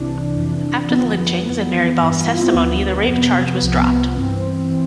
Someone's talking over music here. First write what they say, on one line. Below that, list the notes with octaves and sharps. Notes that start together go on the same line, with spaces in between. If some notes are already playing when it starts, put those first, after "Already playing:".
After the lynchings, and Mary Ball's testimony, the rape charge was dropped.
Already playing: C2 C3 E3 D4
F2 C3 E3
F2 D3 F3 B3
F2 E3
G2 E3 B3
F4
E4
C4
D2 D3 F3 B3
F2 C3 F3
C2 C3 F3
B3
G2 E3 C4
E3